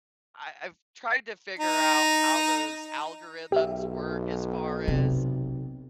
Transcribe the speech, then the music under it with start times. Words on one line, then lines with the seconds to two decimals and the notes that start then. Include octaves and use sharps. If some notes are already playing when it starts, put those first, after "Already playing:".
I I've tried to figure out how those algorithms work as far as,
1.59 D#4
3.52 B1 G4 E5
4.88 C3